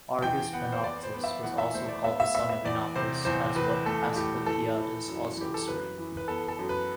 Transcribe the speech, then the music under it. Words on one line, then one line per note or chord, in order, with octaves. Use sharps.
Argus Panoptes was also called the son of Inachus as what Asclepiades also asserted.
E2 G5
B3 F#5
C5
B3 D5
C5
B3
E5
E2 F#5
E5
A3 C5
D5
B3 E5
E5
B3 E5
E5
E2 D5
C3 C5
E2 C5
E2 B4
A3 A4
A2 G4
E3 A4
E3
F#2
E3 G4
A4
F#2 B4
E3
B4
B3 A4
A4
F#2
B4